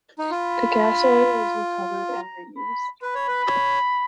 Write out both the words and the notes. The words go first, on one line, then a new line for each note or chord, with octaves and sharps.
The gas oil is recovered and re-used.
D#4
F4 B5
A#5
B5
B4 B5
C#5
B4
C#5